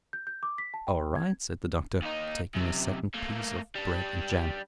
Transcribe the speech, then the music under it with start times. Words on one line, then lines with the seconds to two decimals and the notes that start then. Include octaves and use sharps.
"All right," said the Doctor, taking a second piece of bread-and-jam.
0.13 G6
0.27 G6
0.43 D6
0.58 B6
0.74 A5
0.87 G5
1.16 G#6
2.02 D#2 D#4
2.54 F#2 C3
3.14 A3 A#3
3.75 G3 D4